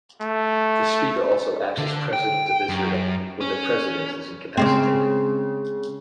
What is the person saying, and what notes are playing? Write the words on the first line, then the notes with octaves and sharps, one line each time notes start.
The Speaker also acts as President of Israel when the President is incapacitated.
A3
D3
G5
F#2
C#4
C#3 G#3 C4